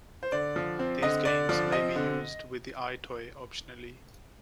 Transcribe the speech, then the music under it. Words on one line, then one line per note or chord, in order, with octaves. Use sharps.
These games may be used with the EyeToy optionally.
C5
D3 D5
F3
C4
D3 D#5
D3 D5
F3 D5
C4 D#5
D3